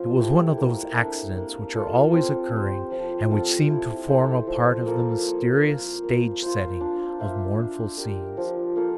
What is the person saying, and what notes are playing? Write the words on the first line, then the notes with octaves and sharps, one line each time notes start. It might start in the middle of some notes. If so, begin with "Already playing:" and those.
It was one of those accidents which are always occurring, and which seem to form a part of the mysterious stage-setting of mournful scenes.
Already playing: F3 C4 F4
A3 E4 G4
A#3
D4 A4 E5
A#3
F4 A4
C4
G4 C5
F3
C4 F4 A4
E4
A4 C5 E5
F3
A#3 F4 A4
A#3
F4 C5
A#3
F4 C5
D4
F4 C5 E5
D4
G4 A#4 D5
F3
A#3 F4 A4